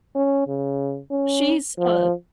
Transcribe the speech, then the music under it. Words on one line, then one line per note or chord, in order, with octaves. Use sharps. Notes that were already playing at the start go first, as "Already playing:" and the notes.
She's a
C#4
C#3
C#4
F3